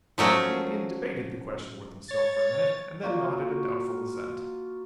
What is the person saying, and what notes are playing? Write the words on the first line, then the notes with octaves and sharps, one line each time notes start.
The Indian debated the question with himself for a minute and then nodded a doubtful assent.
F3 F#3 A3 C#4 F#4
C#5 A6
A#3 F4 F#4